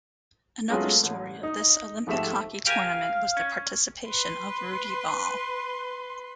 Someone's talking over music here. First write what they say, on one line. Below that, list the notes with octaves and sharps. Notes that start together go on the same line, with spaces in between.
Another story of this Olympic hockey tournament was the participation of Rudi Ball.
F#3 G#3 A3 B3 C#4 F4
A1
D#4
G#2 F3 A3 G4 E5 E7
G4 A#4 F5 G#5
C#4
B4 C6